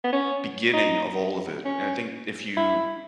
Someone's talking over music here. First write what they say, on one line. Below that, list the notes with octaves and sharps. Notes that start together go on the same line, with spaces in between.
beginning of all of it. And I think if you
B3
C#4
D#4
C#4
E4